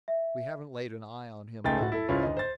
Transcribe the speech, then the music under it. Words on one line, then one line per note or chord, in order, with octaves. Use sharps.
We haven't laid an eye on him, along the road.
E5
C#2 A3 D#4 G#4 G5 A6
A2 F#4
E4 A4
C#2 E4 F4 C#5
D2 D#5
C5 A6